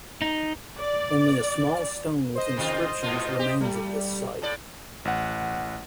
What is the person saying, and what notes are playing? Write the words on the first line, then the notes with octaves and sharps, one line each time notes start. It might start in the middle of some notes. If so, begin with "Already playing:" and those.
Only a small stone with inscriptions remains of this site.
D#4
D5
C5 D#5
C3 D#3 F4
G#2 B2 F4
G4
G3 A3
A2 A4 D5
A1 F#5